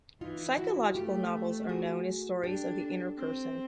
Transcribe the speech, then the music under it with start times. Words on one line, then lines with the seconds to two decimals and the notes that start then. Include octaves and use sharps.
Psychological novels are known as stories of the inner person.
0.21 E3 D#4 F4
0.58 E4 F#4
0.95 A3 F4 G4
1.69 F#4 G#4
2.43 D4 G4 A4
3.17 C4